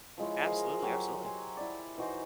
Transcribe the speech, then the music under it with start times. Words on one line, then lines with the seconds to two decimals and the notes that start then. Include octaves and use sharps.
Absolutely, absolutely.
0.18 F3 G#3 E4 C#5
0.46 G#4 A#4 C5 F5
0.82 F#3 G4 G#5
1.24 G#5 C6
1.57 E4 D5
1.98 E3 D#4 F#4 C5